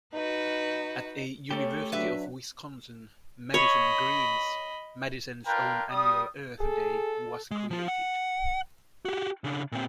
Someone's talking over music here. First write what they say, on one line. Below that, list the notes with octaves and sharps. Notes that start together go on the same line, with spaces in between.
At a University of Wisconsin, Madison Greens, Madison's own annual Earth Day was created.
D#4 F#4 B4
A3 C#4 G4
F#3 D4 B4 E5
C#5 D#5 B5
D4 F4 A#4 B4 G5
G3 D#6
G#4 A4
G#3
F3 F4
F#5
F#4 G4
C#3 D4
A#2 C4